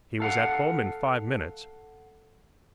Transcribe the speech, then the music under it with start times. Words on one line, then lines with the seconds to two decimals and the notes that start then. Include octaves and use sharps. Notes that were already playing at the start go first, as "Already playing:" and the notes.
He was at home in five minutes.
0.20 A4 F5 F#5